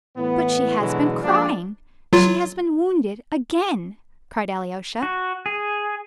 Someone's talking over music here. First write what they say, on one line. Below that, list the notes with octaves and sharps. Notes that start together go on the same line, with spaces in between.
"But she has been crying--she has been wounded again," cried Alyosha.
A2 E3 B3
B2 D3 E3 F#3 G#3
F3 G#3 A#3 D4
F#3 F4
F#4
G#4